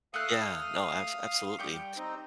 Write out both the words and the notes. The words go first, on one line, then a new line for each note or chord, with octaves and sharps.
Yeah, no, abs absolutely,
A3 A4 F5 D#6 F#6
G3 G4 G5 C#6
C4 D#4